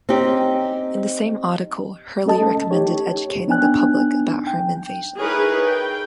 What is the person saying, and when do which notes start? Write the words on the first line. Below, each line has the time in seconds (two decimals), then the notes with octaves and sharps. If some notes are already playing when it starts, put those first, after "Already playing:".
In the same article Hurley recommended educating the public about home invasion.
0.09 C4 C#4 D#4 G4
2.26 A3 C#4 A4 D#5 A5
2.71 D#4 G4 C#5
3.48 B3 D4 D#4 G5 G#5 F#6
4.47 G5
5.17 D#4 E4 G#4 A#4 B4 C#5
5.63 G5